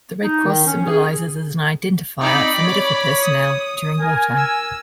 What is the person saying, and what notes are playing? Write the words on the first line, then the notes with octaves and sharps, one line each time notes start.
The red cross symbolizes as an identifier for medical personnel during wartime.
D#4
D#3
C#4
G#4
C4 D#4 D5 B5
C#5
D#6
A#4 G#5
E6